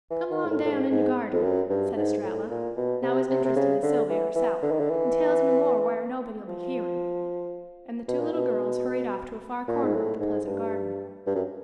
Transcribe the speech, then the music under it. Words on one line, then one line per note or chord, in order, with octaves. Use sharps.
"Come 'long down in de garden," said Estralla, now as interested as Sylvia herself, "an' tells me more whar' nobody'll be hearin'," and the two little girls hurried off to a far corner of the pleasant garden.
E3
D#3
G#2
A2
A2
G#2
G#2
F2
F#2
G2
G#2
A2
A#2
B2
C3
C3
C3
C#3
D3
E3
E3
D3
D#3
D3
E3
F3
B2
A#2
B2
A#2
G#2
A2
G#2
G2
G2
F#2